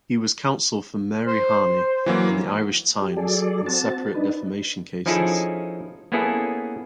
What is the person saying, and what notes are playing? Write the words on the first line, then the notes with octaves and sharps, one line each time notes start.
He was counsel for Mary Harney and The Irish Times in separate defamation cases.
C5
E3 F#3 A#3
G4
F#3 G#4 A4 D5
C4 F#4 A5
D4 D#4 B4
F3 C#4 D#4 E4 G#4 A4
A#3 B3 C#4 E4 G#4 A4